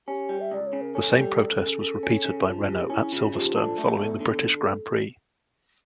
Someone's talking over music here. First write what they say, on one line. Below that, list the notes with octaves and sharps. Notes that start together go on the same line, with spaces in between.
The same protest was repeated by Renault at Silverstone following the British Grand Prix.
C#4 G4
G3
E5
C#2 D5
C#5
C#3
A#4
C#4 A4
G3
C#2
C#3
C#3
C#4
C#3
F3
C#3 G4
C#4 E4
C#3 F4
F3 G4
D4 A4
A3
E2
D3